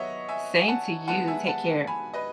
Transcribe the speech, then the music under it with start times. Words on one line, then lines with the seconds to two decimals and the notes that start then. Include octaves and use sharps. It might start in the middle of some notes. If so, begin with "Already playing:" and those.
Same to you. Take care.
Already playing: D#3 F#3 B3 C#5 D#5 E5 F#5
0.28 E5 G#5
0.61 G#5
0.68 F#5 A5
1.08 D#3 G#3 B3 F#5 A5
1.28 E5 G#5
1.47 F#5 A5
1.87 G#5 B5
2.14 B4 D#5